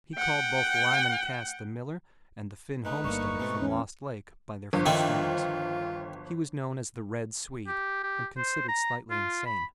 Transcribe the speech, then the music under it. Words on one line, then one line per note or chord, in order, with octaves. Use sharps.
He called both Lyman Cass the miller and the Finn homesteader from Lost Lake by their first names. He was known as "The Red Swede," and considered slightly insane.
F#5 G5
G#3 A3 D#4 B4
G1 G2 G3 A3 A#3 C#6
G#2 B2 E3 A3 C4
E2 C#4
G1 F3
D#3 C4 E4 F4
G4
G4
C5
A#5
F4
B5